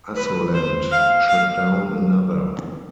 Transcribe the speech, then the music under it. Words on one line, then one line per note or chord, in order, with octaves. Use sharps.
Assolent shot down another.
B4
C5
F5
F5